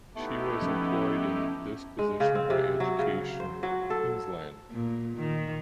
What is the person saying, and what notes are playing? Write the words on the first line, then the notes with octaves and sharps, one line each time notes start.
She was employed in this position by Education Queensland.
A3 B3 D#4 E4 G4
F3 C#4
G#3
C#3
C4
C3
F#3
C#3
C5
F#3
A4
A#2
D#3